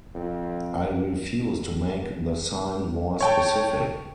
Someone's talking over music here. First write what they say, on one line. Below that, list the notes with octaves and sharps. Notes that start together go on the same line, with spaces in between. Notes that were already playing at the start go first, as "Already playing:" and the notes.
I refuse to make the sign more specific.
F2
C#5 G5 A5